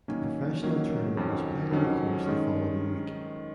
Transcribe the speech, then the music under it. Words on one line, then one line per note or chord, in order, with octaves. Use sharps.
The professional tournament was played on the course the following week.
D#3 F#3 A#3 C#4
D#3 F#3 A#3 C#4
F2 D#3 F#3 C#4
F2 D#3 F#3 C#4
D#3 G#3 C#4